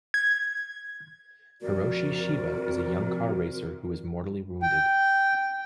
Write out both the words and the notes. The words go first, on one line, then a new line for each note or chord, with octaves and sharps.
Hiroshi Shiba is a young car racer who is mortally wounded.
G#6
F2 C3 F#4 A#4 D5
G5